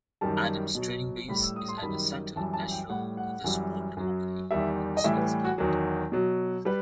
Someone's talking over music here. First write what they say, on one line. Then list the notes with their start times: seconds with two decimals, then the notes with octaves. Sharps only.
Adams' training base is at the Centre national de sport de Macolin in Switzerland.
0.21 F#2 D#3 G3 A5
0.75 B2 F#3
1.28 A2 G3 B5
1.42 E6
1.56 D#6
1.68 C6
1.78 A5
1.82 F#2 D#3 G3 B5
2.36 F#2 E3 G3 A5
2.54 A5
2.71 G5
2.89 A2 G3 F#5
3.17 F#5
3.44 F#2 E3 G3
3.97 F#2 F#3
4.51 E2 D#3 G3 E5
4.97 D#5
5.04 A2 E3 G3 E5
5.18 B4
5.44 F#4
5.58 E2 D#3 F#3
6.12 B2 F#3
6.65 G3 B4